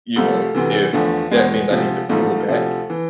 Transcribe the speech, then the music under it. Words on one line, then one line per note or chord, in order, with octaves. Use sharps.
you know, if that means I need to pull back
C2 C3 F3 A3
D2 C3 E3
E2 D3 F3 A3
E2 B2 G#3
D2 C3 F3
A1 G#2 F3 A3
D2 C3 F3
E3